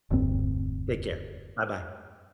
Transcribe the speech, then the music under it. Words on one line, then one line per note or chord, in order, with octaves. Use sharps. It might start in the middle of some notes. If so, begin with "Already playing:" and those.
Take care. Buh-bye.
E1 D2 G2 C4